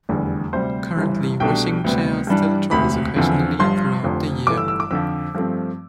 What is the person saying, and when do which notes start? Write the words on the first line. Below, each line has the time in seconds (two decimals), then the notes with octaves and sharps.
Currently, Wishing Chair still tours occasionally throughout the year.
0.09 F1 E2 D3 G3
0.53 D2 C3 G3 C5
0.97 G1 G2 E3
1.40 C2 B2 A3 D4 G5
1.84 D2 C3 G3 B3
2.27 G2 E3 G3 D4
2.71 E1 D2 C3 B5
3.16 E2 D3 F3 C4
3.59 G1 G2 F3 C6
4.03 F1 F2 D3
4.47 G1 G2 E3 A3 D6
4.57 E6
4.68 E6
4.80 D6
4.91 F2 D3 F3 E6
5.35 G2 F3 A3 C4